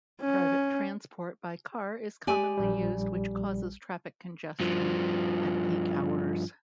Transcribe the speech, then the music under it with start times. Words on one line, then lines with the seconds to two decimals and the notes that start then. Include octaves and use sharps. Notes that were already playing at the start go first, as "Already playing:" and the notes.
Private transport by car is commonly used which causes traffic congestion at peak hours.
0.21 C#4
2.27 G4 D5 G#5
2.57 A#1 G3
4.60 G2 F3